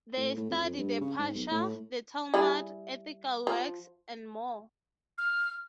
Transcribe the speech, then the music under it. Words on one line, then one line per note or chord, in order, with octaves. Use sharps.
They study the Parsha, the Talmud, ethical works, and more.
A2
A2
F2
F2
G2
C#3
G#2
B1
A2
G3 E4 G#4
F3
F6